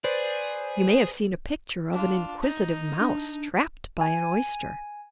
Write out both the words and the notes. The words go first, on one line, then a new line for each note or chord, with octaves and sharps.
You may have seen a picture of an inquisitive mouse trapped by an Oyster.
G#4 B4 C5 D5
D4 F4
D#4
D4
G#5